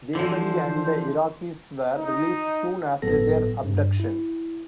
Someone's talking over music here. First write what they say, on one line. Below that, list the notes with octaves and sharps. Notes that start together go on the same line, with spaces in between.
Dewari and the Iraqis were released soon after their abduction.
D3 E3 F3 C5
D#4
G1 A2 F#3 B3 A4 A#6
G2
E4